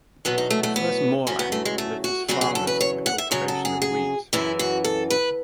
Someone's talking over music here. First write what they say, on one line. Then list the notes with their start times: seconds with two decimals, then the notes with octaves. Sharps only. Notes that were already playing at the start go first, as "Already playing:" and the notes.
The first Moorland lived as farmers of the cultivation of wheat.
0.25 E2 B2 F#3 B3
0.38 D#4
0.51 A3
0.63 A3
0.76 B3
1.27 E2 C#3 F#3 C#4
1.39 B3
1.52 A3
1.65 G#3
1.78 A3
2.04 F#4
2.28 E2 C#3 F#3 F#4
2.41 G#4
2.55 A4
2.67 B4
2.81 C#5
3.06 F#5
3.18 E5
3.31 F#2 C#3 F#3 C#5
3.48 A4
3.65 G#4
3.82 G#4
4.33 F#2 C#3 E3 E4
4.59 F#4
4.84 A4
5.10 B4